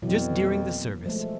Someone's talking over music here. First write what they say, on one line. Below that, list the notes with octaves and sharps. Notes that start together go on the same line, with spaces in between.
Just during the service.
F2 B2 E3 F#3
A#3
F3 G#3 A3